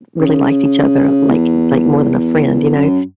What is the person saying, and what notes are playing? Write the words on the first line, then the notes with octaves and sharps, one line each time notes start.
really liked each other like like more than a friend, you know?
C#3
E2
F#2